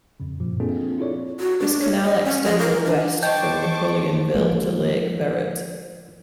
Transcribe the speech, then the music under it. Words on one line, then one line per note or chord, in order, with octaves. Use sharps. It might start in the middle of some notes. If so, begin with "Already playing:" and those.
This canal extended west from Napoleonville to Lake Verret.
F2 C#3
F#2 A#2 F3
A#3 C4 D4 F4 G#4 A4
E4 F4 A4 C#5 D5
F#4
D4
C#5
D#5
C#4
G#3
A#4
D4
C5 D#5 G5 A5 C#6 D6 G6
F3 G#3 A#3